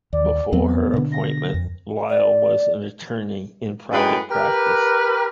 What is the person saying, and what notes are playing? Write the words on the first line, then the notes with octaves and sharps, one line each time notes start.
Before her appointment, Lyle was an attorney in private practice.
D#2 D5
E2 F#3 B3 C4
B2 D3
A#6
F2
D5
F#2 A2 G#3 G#4 B4 G5
G4 A#4 B4